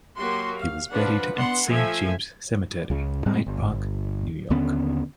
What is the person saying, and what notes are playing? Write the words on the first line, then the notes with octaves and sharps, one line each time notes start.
He was buried at Saint James Cemetery, Hyde Park, New York.
F#3 A#3 F#4 G4 C6
F5
F3 D4 B4 F#5
B3 D4 F#5 C6
F3 A3 A4 E5 G#5
C#2 C#3
G#2 G3 G#3 C4
G1
D#2 D3 B3 C#4